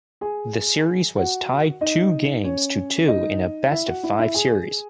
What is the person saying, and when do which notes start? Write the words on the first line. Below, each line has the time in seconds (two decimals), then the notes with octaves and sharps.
The series was tied two games to two in a best-of-five series.
0.21 G#4 G#5
1.17 F#4 F#5
1.81 D#4 D#5
2.44 C#4 C#5
3.08 D#4 D#5
3.71 E4 E5
3.87 F#4 F#5
4.03 E4 E5
4.19 E4 E5
4.35 G#4 G#5